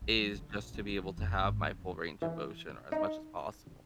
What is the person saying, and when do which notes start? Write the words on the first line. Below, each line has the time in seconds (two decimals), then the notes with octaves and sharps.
is just to be able to have my full range of motion or as much as possible,
0.01 A#1
0.17 F#3
0.34 D3
0.51 A#1
0.74 C#2
0.89 D3
1.01 E3
1.17 F1
1.39 G#1
1.56 G#3
1.68 D4
1.80 E2
2.22 E3
2.92 D#4